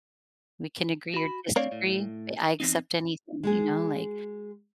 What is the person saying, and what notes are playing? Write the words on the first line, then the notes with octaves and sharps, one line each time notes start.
we can agree or disagree, but I accept anything you know, like,
F#4 B5
A3 C4 D4 C#5 D5 F5
A2
E2 C4 D#4
G#3 F#4 G#4